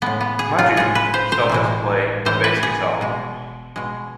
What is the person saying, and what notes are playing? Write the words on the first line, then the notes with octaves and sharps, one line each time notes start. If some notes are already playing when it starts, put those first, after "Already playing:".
"Maju" started to play "bass guitar".
A2 G#3 B3
B3
G#4
F4
A2 G#3 G#4
B4
C5
C5
A2 E3 G#3
A2 E3 G#3 C5
B4
G#4
B2 G#3
B2 G#3